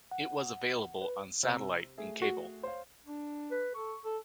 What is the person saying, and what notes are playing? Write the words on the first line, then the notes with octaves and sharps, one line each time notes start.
It was available on satellite and cable.
F#5
B4
C3 A#5 E6
A3 G#4 E5
F#4
C5 C#5 F5
D4
B4
A4 C#6
A4